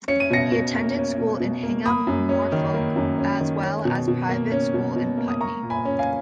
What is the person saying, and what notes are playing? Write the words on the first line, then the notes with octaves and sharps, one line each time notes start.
He attended school in Hingham, Norfolk, as well as a private school in Putney.
C#4 C#7
D#7
B2 A#6 C#7
B2
A#3
C#4
B2
B2
A#3
A#3 B5 D#6
F#2
C#4
D#3
A#3
F#2
C#4
D#3
C#4
B2
B2
A#3
C#4
B2
B2
A#3
D#6
A#3 A#5 C#6
A#2
G#5 B5
C#4
F5 G#5